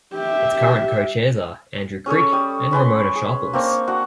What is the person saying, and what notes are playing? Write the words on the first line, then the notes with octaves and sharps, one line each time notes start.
Its current Co-chairs are Andrew Creak and Ramona Sharples.
G4 E5
C#4 G#4 A4 C#5
G3 D#6
C#4 B4 G#5 C6
G#4
A#3 C4 D4 C#6
D4 F#4 F#5